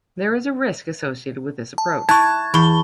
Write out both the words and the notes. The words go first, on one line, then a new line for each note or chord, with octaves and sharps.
There is a risk associated with this approach.
A5
E4 A5 C#6 F#6 G#6
E2 B5 C#6 G7